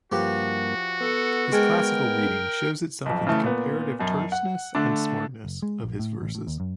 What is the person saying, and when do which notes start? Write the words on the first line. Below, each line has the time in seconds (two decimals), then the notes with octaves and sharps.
His classical reading shows itself in the comparative terseness and smartness of his verses.
0.12 G2 F3 A#3 F#4 G4 B4
1.01 B3 A4
1.52 G#3 A#4 G5 G#5
3.06 B1 F2
3.27 C#3 E3 A3
3.44 A#2 B3
3.99 F#2 B2
4.32 F#5
4.75 D3 A3 D4
5.44 F#1
5.62 G#3
5.83 A#1
5.99 A2
6.21 A1
6.35 A2
6.47 D#2
6.60 F#2